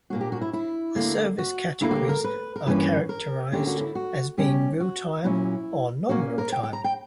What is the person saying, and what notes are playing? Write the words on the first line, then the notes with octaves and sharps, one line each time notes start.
The service categories are characterised as being real-time or non-real-time.
A#2 A#3 D4 F#4
G4
F#4
E4
E4
D2 D3 A#3 D4
F#4
D2 D3 A#3 E4
F#4
G4
A#4
B4
A#4
G2 E3 A#3 C#4 B4
A#4
D2 D3 A#3 C#4 G4
F#4
E4
F#4
B2 G3 C#4 G4
F#4
A#2 F#3 C#4 E4
A#2 A#3 C#4 F#4
A#4
G5
G5
A#5
G5